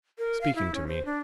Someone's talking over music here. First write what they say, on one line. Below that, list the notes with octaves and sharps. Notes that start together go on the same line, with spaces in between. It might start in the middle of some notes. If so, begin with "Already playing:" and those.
Speaking to me.
A#4
F5
E4
C#4
C5
D4